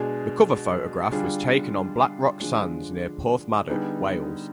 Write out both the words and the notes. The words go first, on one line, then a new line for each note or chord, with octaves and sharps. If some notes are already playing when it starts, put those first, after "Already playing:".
The cover photograph was taken on Black Rock Sands near Porthmadog, Wales.
Already playing: B2 G#3 D4 G#4
D3 G3 D4 F4 G#4
D3 F3 G#3 D4
D3 G3 B3 D#4 G#4